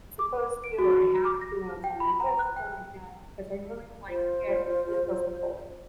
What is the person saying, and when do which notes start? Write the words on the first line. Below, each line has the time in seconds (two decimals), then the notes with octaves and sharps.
supposed to or I have to or it's on my list or am I doing it because I really like it and it feels indulgent?
0.19 D6
0.64 D7
0.78 F#4
1.25 D6
1.41 A#6
1.84 G5
2.00 B5
2.20 A#5
2.39 F#6
2.56 G5
4.08 F4 C5